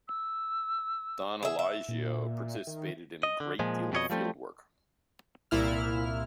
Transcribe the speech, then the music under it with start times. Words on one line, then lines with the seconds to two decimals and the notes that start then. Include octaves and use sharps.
Don Elijio participated in a great deal of field work.
0.08 E6
1.43 G#4 E5
1.59 E5
1.88 A#2
2.67 D#3
3.23 D#5
3.40 D3
3.59 A#2 F3 G#3
3.92 F2 B2 G3 E4 C#5 D#5
4.10 F3 G3 A3 C4
5.51 C2 A#2 E4 F6